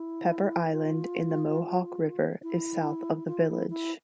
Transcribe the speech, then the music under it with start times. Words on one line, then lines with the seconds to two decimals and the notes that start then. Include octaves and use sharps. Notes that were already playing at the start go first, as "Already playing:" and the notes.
Pepper Island in the Mohawk River is south of the village.
Already playing: E4
0.72 F4
2.43 E4
3.27 F4
3.49 E4
3.70 E4